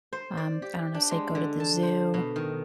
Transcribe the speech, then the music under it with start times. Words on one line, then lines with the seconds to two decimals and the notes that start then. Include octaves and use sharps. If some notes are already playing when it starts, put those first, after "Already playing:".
um, I don't know, say go to the zoo
0.13 C5
0.37 D5
0.62 G4
0.94 D4
1.11 G#3
1.35 D3
1.60 A5
1.83 C5
2.14 B2
2.36 D#3